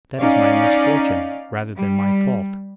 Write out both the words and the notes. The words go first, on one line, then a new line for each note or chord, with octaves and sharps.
"That is my misfortune, rather than my fault."
C#4 D#4 D5 F5
G3